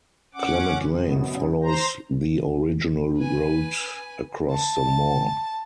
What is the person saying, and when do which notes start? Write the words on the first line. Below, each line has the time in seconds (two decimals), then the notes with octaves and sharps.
Clement Lane follows the original route across the moor.
0.34 C#4 F#5 D6
0.89 F#2 B2
1.63 C5 A#5
3.17 B4 G#5
4.51 A5